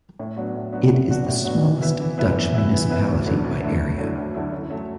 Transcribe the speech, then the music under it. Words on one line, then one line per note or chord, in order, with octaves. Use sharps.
It is the smallest Dutch municipality by area.
A2
F#3 B3 D4 F#4
A2
F#3 B3 D4 F#4
A2
F#3 B3 D4 F#4
A2
F#3 B3 D4 F#4
E3
B3 E4 B4 E5
E3
B3 E4 B4 E5
E3
B3 E4 B4 E5
E3
B3 E4 B4 E5
D2
D3 F#3 A3 E4
D2
D3 F#3 A3 E4
D2
D3 F#3 A3 E4
D2
D3 F#3 A3 E4
F#2
F#3 A3